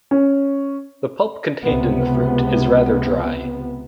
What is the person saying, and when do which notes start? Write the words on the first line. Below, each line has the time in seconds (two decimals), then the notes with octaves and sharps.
The pulp contained in the fruit is rather dry.
0.11 C#4
1.64 C#2 C3 B3